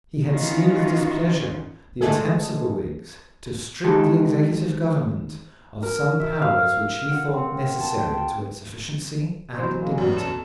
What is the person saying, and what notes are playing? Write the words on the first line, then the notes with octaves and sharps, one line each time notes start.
He had seen with displeasure the attempts of the Whigs to strip the executive government of some powers which he thought necessary to its efficiency and dignity.
D#3 E3 C#4 D#4 F4 F#4
D3 G#3 A3 G#4 A4
D#3 G#3 G4 A4
A#4
E5
F5
F#5
C4
A5
G5
B2 E3 F#3 C5
G#3 A#3
F#2 G3 B3
B2 A4